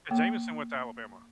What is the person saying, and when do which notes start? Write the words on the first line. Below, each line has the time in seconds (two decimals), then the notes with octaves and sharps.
And Jameson went to Alabama.
0.11 A#3